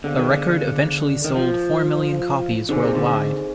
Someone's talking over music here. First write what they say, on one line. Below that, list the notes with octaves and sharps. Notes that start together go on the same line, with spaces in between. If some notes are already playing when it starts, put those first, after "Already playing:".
The record eventually sold four million copies worldwide.
D3 B3 D4 G#4 C5 F5
D#3
D3
D#3
F3
D3 C4 D#4 G#4 C5
C3
D3